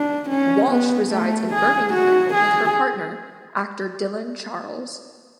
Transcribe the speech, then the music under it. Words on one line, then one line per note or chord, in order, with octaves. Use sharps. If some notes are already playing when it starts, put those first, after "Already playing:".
Walsh resides in Birmingham with her partner, actor Dylan Charles.
Already playing: D4
C#4
B3
A3
G#4
F#4
G#4